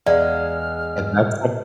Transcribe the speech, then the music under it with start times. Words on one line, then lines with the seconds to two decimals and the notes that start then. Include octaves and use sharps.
and that's some
0.06 E2 G#3 D5 F5 F6